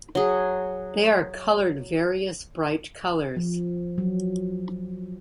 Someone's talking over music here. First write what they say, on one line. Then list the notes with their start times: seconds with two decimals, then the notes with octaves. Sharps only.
They are colored various bright colors.
0.15 F#3 G#4
3.37 F3
3.98 F#3